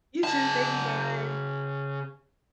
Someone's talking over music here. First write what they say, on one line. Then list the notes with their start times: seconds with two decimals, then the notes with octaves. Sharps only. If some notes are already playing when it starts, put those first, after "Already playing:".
You, too. Thank you. Bye.
0.24 C#3 A5